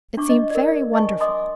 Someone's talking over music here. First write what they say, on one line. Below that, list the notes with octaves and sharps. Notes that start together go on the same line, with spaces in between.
It seemed very wonderful!
D4 C#6 D6
D#5
A#4 D5
D#5 G#5 A5 C#6
D#5 G#5 C6 D6 D#6